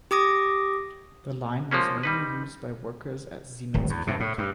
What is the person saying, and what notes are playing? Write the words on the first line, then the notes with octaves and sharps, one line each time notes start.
The line was mainly used by workers at the Siemens plant.
G4 D6 D#6 A#6
F3 G#3 A#3 C#4
G3 D#4 B4
D1 G#1
E2
G2 C3
A2
G2